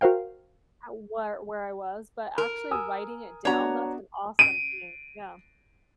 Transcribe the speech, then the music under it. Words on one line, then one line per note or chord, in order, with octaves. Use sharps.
how wher where I was," but actually writing it down, that's an awesome thing, yeah.
F#4 A#4 C5 F5 G5
A#4
G#5 D#6 E6
B3 D4 F#4 C#5 A#5
D7 D#7